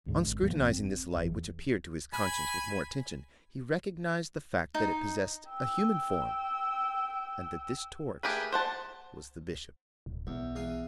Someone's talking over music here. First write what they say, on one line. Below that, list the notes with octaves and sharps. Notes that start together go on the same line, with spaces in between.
On scrutinizing this light which appeared to his conscience with more attention, he recognized the fact that it possessed a human form and that this torch was the Bishop.
D2 G#2 D3
G#1
B1 G2 E3 A#3
F1 C4
F#1 E2
G#5 B5
D#4
G5 E6
A3 G4 G#4 A#4 B4
C5 F#5 A5
D1
B1 E2
E2 F5 G#5